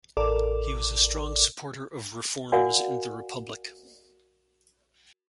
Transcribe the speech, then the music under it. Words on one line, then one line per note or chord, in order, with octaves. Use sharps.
He was a strong supporter of reforms in the Republic.
A1 A4 A#4 D5 D6
F#4 A#4 D5 F5 F#5 G#5